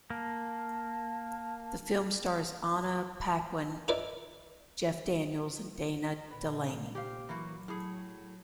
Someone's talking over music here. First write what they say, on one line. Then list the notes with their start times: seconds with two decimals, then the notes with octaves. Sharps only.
The film stars Anna Paquin, Jeff Daniels and Dana Delany.
0.10 A#3 A5
3.88 D#4 E4 A#4 B4 D5
6.31 A#2 B4
6.63 D#3
6.95 G4 C5 F5
7.29 E3 F#3 A#3 F#4
7.68 A2 G#4